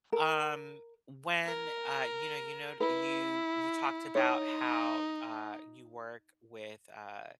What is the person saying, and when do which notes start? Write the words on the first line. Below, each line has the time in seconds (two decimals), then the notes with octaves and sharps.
Um, when, uh, you know you know you you talked about how, uh, you work with, uh,
0.12 A#4
1.47 A#4
2.80 E4 B4
4.15 D#4 C#5